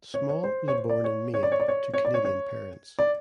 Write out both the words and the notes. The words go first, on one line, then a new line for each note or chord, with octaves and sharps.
Small was born in Maine to Canadian parents.
C#5
C#5
C5
C#5
C5
D5
C#5
C#5
D5
C#5
D5
C#5
C#5
D5
C#5
C#5
D5